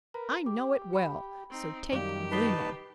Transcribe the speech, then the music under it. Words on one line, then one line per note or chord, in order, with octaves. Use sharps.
"I know it well, so take Grimaud."
A#4 B4 A#5
G4 D6
G5 B5
C4 D#4
F#2 D#3 G3 G4 D5 F5
D#4 B4 A5 B6 C7 G7